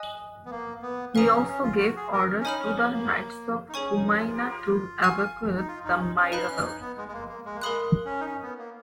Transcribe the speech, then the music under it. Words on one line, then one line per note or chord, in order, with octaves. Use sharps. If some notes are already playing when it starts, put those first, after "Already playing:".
He also gave orders to the knights of Cumiana to evacuate the Maira valley.
Already playing: D#5 G#5 D#6 F#6
B3
A#3
B3
C#4 B4 F5 A#5 D#6
C#4
C#4
F4
F#4
G#4
A#4
C#4
D#4 C#5 G#5 B5 F6
C#4
B3
A#3
D#4
C#4 G#4 C#5 G#5 C#6
D#4
F4
F5 G#5 C#6 F6
D#4
F4
D#4
C#4
D#4
C#4
D#4 B4 F5 B5 F#6
C#4
D#4
B3
G#3
G#3
A#3
A#3
G#3
A#3
G#3 A#4 F5 B5 D#6 F#6
C#4
D#4
C#4
B3
A#3